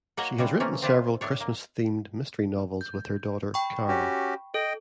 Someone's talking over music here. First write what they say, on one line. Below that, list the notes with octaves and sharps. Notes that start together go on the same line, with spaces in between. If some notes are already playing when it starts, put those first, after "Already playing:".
She has written several Christmas-themed mystery novels with her daughter, Carol.
A#3 F#4 C#5 D#5 F#5 A#5
C#3 G3 G#3 F#5
E3 F3 A3 A#3 C#4
C4 D4 E4 F4
A2 D4 C#5
A#3
G6
G5 B5 C#6
C#4 F#4 G4
A4 D#5 G5